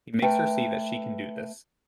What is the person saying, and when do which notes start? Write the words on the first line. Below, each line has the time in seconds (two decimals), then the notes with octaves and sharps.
He makes her see that she can do this.
0.22 A3 A#4 B4 G5